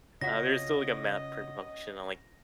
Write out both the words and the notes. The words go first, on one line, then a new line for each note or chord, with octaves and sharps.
Uh, there's still, like, a map print function on, like,
C#3 C#4 F4 F#4 D#5 F#5 A#6 B6